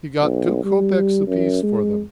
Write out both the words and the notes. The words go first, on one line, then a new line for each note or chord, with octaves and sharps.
He got two kopeks apiece for them.
B1
G3
F#2
G#3